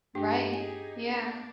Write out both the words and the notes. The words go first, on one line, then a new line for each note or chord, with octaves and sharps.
Right. Yeah.
G2 D4 D#4 G4
D#4 G#4 G#5
D4